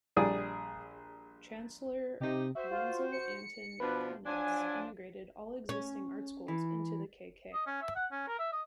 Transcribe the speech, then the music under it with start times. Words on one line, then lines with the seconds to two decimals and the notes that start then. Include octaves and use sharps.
Chancellor Wenzel Anton Kaunitz integrated all existing art schools into the k.k.
0.17 A#1 G3 G#4 D5 D#6
2.20 C3 D#4 G4
2.55 F#4 C5 E5
2.71 F4
3.12 C#7
3.80 B2 F3 D4 B4
4.25 F3 F#3 D4 G#5
5.69 C#4
6.48 E3
7.53 D#5
7.67 C#4
7.82 E5
7.96 F#5
8.11 C#4
8.27 A#4
8.39 E5
8.52 D#5